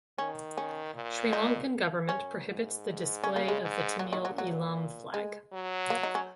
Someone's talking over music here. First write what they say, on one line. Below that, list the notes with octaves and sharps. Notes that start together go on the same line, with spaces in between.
Sri Lankan government prohibits the display of the Tamil Eelam flag.
D#3 C#4
C#4
A#2
D#4
F#2 C#4
G#2
C#3 C#4
A#3
G#3
G#2
A#2 F#3
D#3
F#3
F#3
G#3
F#3
A#3
D#4
C#4